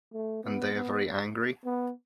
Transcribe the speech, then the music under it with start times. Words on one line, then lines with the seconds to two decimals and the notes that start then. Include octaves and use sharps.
And they are very angry?
0.13 A3
0.44 B3
0.74 B3
1.65 B3